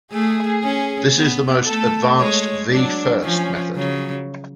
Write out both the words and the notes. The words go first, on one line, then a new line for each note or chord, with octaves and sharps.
This is the most advanced V first method.
A3 G#4
C#4
B3
A3 A4
G#3 C#5
F#3 D4
F3 C#4
C#3 F#3